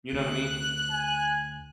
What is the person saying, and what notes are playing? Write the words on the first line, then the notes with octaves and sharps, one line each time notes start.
You know what I mean?
D2 F#6
G#5